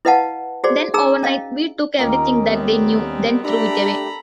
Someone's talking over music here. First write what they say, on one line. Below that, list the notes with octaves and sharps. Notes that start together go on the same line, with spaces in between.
Then overnight we took everything that they knew, then threw it away.
E4 B4 D#5 F5 F#5 A5
F#4 G#4 C5 D5
D#4 G#4 A#5 E6
C#4 D#5 F5
D#2 A#3 C#4 F4 D#5 G5
G3 B3 C4
A3 D4 G4 A4 A#5 B5